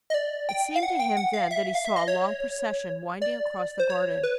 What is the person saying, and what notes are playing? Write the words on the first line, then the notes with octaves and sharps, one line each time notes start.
It seemed to him then that he saw a long procession winding across the garden.
D#5
D5
G5
F5
F#5
G5
F#5
F5
E5
F5
E5
D#5
C#5
D5
C5
C#5
B4